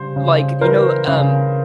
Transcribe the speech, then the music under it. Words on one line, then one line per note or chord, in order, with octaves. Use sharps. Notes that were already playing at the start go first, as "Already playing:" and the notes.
like, you know, um,
Already playing: C#3 G3 C5
C#3
E3 A#4 C5
C#3